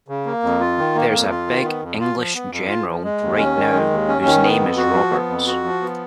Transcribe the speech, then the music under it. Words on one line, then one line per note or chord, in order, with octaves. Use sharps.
There's a big English general right now whose name is Roberts.
C#3
A#3
F2
F4
D#3
A#3
F2
F4
D#3
B3
F2
F4
F3
B3
F2
F4
F3
G#3
D#2
C#4
D#3
G#3
D#2
C#4
D#3
B3
F2
F#4
F3
B3
F2
F#4
F3
B3